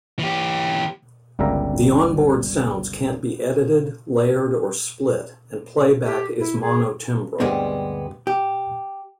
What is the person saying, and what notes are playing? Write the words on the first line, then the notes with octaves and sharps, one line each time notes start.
The onboard sounds can't be edited, layered or split, and playback is mono-timbral.
E3 G4
G1 C#2 G3 A#4 E5 A#5
G4
E4
G#4
D2 G2 G3 G#3 B3 C4
G4